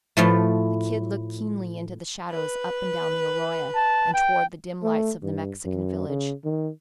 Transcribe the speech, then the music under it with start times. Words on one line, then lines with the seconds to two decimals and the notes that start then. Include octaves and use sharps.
The Kid looked keenly into the shadows up and down the arroyo and toward the dim lights of the Mexican village.
0.17 A2 F3 A3
2.30 B4
3.75 A5
4.14 G5
4.83 A3
5.23 G2
5.65 F#2
6.08 C#3
6.44 D#3